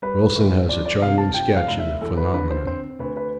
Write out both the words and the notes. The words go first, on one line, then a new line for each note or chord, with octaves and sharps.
Wilson has a charming sketch of the phenomenon.
G3 B4
G1
F2 D5
D5
C3 F5
A5
F3 G5
F5
F1
E5
E2 A4
B4
D3 B4
C5
C4 C5
D2 B4
B4